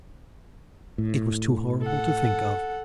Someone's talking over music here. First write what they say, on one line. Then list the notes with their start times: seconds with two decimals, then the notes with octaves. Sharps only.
It was too horrible to think of.
0.98 A2
1.82 A4 F#5